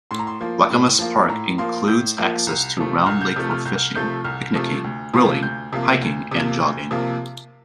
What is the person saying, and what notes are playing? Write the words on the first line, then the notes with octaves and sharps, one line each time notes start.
Lacamas Park includes access to Round Lake for fishing, picnicing, grilling, hiking, and jogging.
A2 C6
A#5
C6
F3 A#3
A2
F3 A#3
A2 A#5
F3 A#3 C6
A2 G6
F3 A#3
C2
C3 F3 A3
C2 F6
G6
C3 F3 A3 G6
F6
C2 G6
C3 F3 A3 G6
C2 F6
C3 F3 A3
D2
C3 F3 A#3
D2 G6
C3 F3 A#3
D2
C3 F3 A#3
D2
C3 F3 A#3